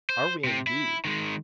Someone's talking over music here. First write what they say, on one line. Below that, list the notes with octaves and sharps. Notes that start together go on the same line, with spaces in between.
"Are we, indeed?"
C5
C3 C4
E4
D#3 G#3